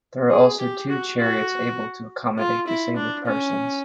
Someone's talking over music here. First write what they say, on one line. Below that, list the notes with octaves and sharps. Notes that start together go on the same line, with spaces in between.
There are also two chariots able to accommodate disabled persons.
G#4
G4
F#4
F#4
F4
E4
D4
C#4